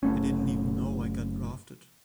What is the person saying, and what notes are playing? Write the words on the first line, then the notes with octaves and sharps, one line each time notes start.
I didn't even know I got drafted.
F#1 A3 C#4